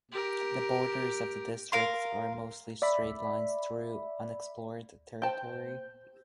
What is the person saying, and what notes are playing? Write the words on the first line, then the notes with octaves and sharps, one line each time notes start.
The borders of the district are mostly straight lines through unexplored territory.
G4 A#4
A#4 F5 C6
D5 E5 B5
C5 G5 A5 G6